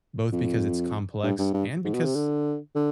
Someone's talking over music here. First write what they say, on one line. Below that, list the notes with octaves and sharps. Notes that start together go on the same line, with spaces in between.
both because it's complex and because
F2
G2
G2
G2
G#2
B2
C3
D3
D3